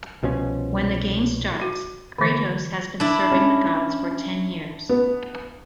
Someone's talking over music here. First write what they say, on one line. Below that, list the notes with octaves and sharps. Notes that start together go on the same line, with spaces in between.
When the game starts, Kratos has been serving the gods for ten years.
C2 B2 F3 C#4
F#4
D3 E3
D4 E4
C#4
B3